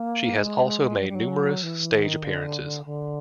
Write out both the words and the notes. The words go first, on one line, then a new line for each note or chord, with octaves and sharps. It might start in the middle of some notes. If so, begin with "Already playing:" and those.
She has also made numerous stage appearances.
Already playing: A#3
G#3
F#3
G3
F#3
E3
D#3
D3
D3